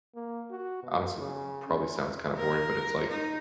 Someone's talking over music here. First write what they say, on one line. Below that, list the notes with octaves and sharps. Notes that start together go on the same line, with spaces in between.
honestly, probably sounds kinda boring, but it's, like
A#3
F#4
B2
C#3
C#4
A#4
D#4